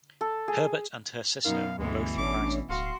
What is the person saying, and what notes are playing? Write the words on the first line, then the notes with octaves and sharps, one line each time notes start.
Herbert and her sister were both writers.
A4
G#4
F#2 B2 D#4 A#4 F5
D2 G2 B2 E3 G#3
A1 A3 C#4 D4 D6
D1 F#4 F5 C6